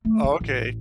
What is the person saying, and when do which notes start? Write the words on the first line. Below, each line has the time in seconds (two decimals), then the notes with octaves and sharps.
Oh, okay.
0.05 A3
0.24 D3
0.40 A1